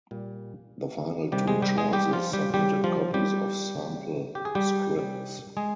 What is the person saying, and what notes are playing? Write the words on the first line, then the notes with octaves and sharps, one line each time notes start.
The final two choices submitted copies of sample scripts.
A#2 G3
C3 D#3 G3 G4
G#3 G#4
G3 G4
G#3 G#4
G3 G4
F3 F4
G3 G4
C#3 G3 G4
F3 F4
G3 G4
C#3 G3
G4
G#4
G3 G4
C3 G3
G#3 G#4